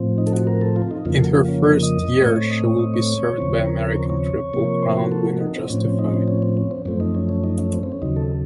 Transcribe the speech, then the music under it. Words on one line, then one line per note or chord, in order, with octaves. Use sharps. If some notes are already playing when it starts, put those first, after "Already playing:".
In her first year she will be served by American Triple Crown winner Justify.
Already playing: A2 F3 C4
D#4
A4
F#4
A#4
A4
F4
D#4
F2 C#3 F3 A#3 F4
A4
F#4
F4
C#4
D#4
D#5
A2 A3 C4 C#5
C#5
D#5
C#5
D#5
C#5
D#2 C#3 F3 C4
A#4
A#4
C#5
C#5
C3 F3 A#3
C5
F#4
A4
F#4
D#4
C4
A2 F3 C4 C#4
C#4
D#4
C#4
C#4
C4
C#4
C4
F#2 F3 A3 C4
D#4
C#4
C#4
D#4
C#4
C4
C4
C#4
D#2 C#3 F#3 D#4
A4